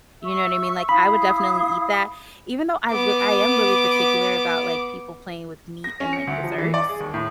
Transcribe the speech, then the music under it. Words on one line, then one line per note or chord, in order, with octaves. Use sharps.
You know what I mean? Like, I would definitely eat that. Even though I r I am really particular about, like, people playing with meat and, like, desserts.
E5 C#6 E6
E4 F5 B5 D#6
B3 D6
A#6
C#4
C#7
D2
F3
E3
D5
G#4
D#2
A2